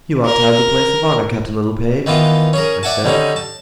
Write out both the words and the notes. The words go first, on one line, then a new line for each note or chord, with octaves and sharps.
"You ought to have the place of honor, Captain Littlepage," I said.
A#4
D#3 E3 B3 F4
C#4 G#4 A#4
D5 E5 F#5 G#5 A5
D3 G3 C#4 D#4
A5